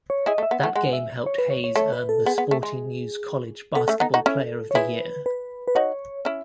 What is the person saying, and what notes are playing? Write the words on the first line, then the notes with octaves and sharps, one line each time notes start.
That game helped Hayes earn "The Sporting News" College Basketball Player of the Year.
C#5
E4 G#4 D#5
A3
E5
B3
A3 F#5
G#3 F#5
E5
C#5
B4
C#5
C#5
A3 C#5
B4
A4
B3 G#4
B3
A3
G#3
B3 A4
A3 C#4
B3 D#4
D#4 F#4
C#4 E4
C#5
E4 G#4 B4
B4
B4
D#4 F#4 C#5
C#4 E4